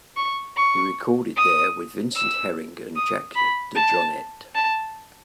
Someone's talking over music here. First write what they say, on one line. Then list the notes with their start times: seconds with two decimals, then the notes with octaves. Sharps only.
He recorded there with Vincent Herring and Jack DeJohnette.
0.17 C#6
0.56 C#6
1.36 D#6
2.16 E6
2.96 D#6
3.35 B5
3.75 A5
4.55 A5